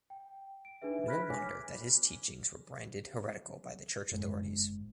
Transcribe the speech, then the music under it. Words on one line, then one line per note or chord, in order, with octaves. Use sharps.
No wonder that his teachings were branded heretical by the church authorities.
G5
D7
D4 D#4 G#4 B4 E5
B5 F6 F#6 G#6 A#6 B6
C#5 G#5 D6 F6
F#1 G#2